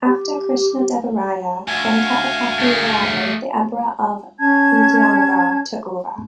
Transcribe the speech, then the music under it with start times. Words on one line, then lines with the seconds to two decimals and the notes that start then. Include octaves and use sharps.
After Krishna Deva Raya, Venkatapathi Rayalu, the Emperor of Vijayanagar, took over.
0.06 G4
1.68 D2 F5 G#5
2.59 A3 G#4
4.38 C#4 A5 G#6